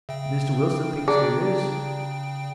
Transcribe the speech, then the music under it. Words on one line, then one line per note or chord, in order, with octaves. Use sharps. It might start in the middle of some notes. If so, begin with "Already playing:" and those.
Mr. Wilson thinks there is.
C#3 E5 G5
D4 G#4 D5 A#5